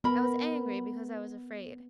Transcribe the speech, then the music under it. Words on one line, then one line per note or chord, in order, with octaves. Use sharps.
I was angry because I was afraid.
B3 A#4 B5